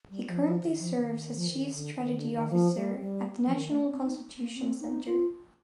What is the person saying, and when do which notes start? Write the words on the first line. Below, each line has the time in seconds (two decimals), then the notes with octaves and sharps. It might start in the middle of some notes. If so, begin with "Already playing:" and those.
He currently serves as Chief Strategy Officer at the National Constitution Center.
0.10 G3
0.28 F3
0.44 F3
0.61 D#3
0.79 F3
0.96 D#3
1.36 F3
1.47 D#3
1.73 D3
1.98 D#3
2.16 D3
2.33 D#3
2.50 F3
2.75 G3
3.01 G3
3.46 F3
3.52 D#3
3.70 A3
3.87 C4
4.04 D#4
4.38 A#3
4.55 C4
4.81 D#4
5.06 F4